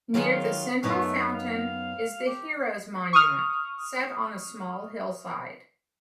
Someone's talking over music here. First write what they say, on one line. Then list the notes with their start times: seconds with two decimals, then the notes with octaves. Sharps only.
Near the central fountain is the Heroes Monument, set on a small hillside.
0.14 D#3 F#3 F4 G#4
0.83 F#2 A3 B3 D#4
1.35 F5
2.26 G4
3.13 C#6 D#6 F6